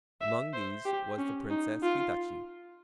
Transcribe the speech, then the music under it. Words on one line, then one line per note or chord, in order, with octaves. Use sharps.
Among these was the Princess Hitachi.
E5
C5
G4
C#4
D#4
F4